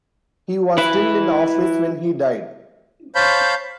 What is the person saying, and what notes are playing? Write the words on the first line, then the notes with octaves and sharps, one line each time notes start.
He was still in office when he died.
E4 B4
C5 C#5 F5 A5 B5 G6